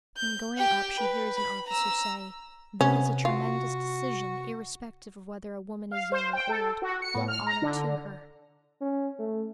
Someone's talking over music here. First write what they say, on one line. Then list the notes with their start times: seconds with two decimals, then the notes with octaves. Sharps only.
In going up she hears an officer say, 'That is a tremendous decision irrespective of whether a woman is young or old; all honor to her!'
0.17 G6
0.57 G4 G5
1.01 B4
1.37 B5
1.68 A#5 E6
2.81 C3 B3 C#4
3.25 F4 F#4
5.91 F5
6.12 C5
6.33 G5
6.49 A4
6.82 F#4
7.02 C#7
7.15 A2
7.28 F6
7.46 A#5
7.62 D3
8.81 C#4
9.19 A3